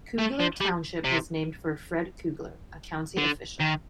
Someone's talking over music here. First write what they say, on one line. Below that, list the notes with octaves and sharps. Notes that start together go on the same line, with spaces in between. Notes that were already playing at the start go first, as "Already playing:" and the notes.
Kugler Township was named for Fred Kugler, a county official.
A3
F3
G3
C3
D3
D#3